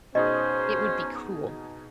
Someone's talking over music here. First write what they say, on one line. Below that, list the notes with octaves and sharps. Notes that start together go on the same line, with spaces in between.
It would be cruel.'
B2 C#4 D#4 G#4 C5 D#5